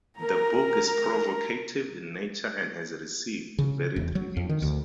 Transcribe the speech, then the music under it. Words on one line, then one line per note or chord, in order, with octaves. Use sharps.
The book is provocative in nature and has received varied reviews.
A#4 A#5
C#3
E1
F#3
F2
D#3
D2